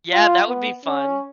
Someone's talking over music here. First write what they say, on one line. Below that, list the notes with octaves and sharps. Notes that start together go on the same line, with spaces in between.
Yeah, that would be fun.
F4
B3
C#4